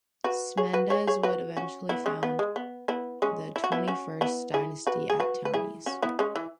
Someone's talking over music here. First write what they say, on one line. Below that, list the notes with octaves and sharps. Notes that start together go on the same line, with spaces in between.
Smendes would eventually found the Twenty-first Dynasty at Tanis.
F#4 B4
G#4 C#5
F#4 B4
G#4 C#5
G#4 C#5
F#4 B4
C#4 F#4
B3 E4
G#3 C#4
B3
G#3
B3
B3 E4
G#3 C#4
E4
F#4
B3 E4
C#4 F#4
B3 E4
E4 G#4
F#4 B4
G#4
F#4 B4
B4
E4 G#4
C#4 F#4
B3 E4
G#3 C#4
E3